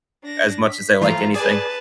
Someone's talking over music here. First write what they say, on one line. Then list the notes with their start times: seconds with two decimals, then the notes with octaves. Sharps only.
as much as they like anything.
0.24 D4 A#6
0.67 B6
1.01 E3 F3 A3 F4 A#5
1.34 G#4 B4 D5 G#5 A5